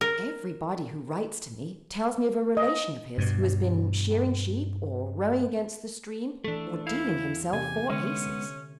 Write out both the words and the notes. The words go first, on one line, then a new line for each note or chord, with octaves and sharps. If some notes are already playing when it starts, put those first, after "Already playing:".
Everybody who writes to me tells me of a relation of his who has been shearing sheep or rowing against the stream or dealing himself four aces.
A#4
D#5
G2 B2
E3 A3 D4 A4
E2 E4 F5
C3 C#4 G4 G#5
D3 G#3 B3 C#4 E5